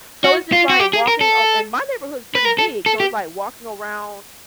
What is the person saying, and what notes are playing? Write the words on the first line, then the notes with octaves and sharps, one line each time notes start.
So it's just like walking oh, and my neighborhood is pretty big, so it's like walking around
F#4
F4
F#4
G4
G#4
A#4
A4
B4
A#4
A4
A4
G4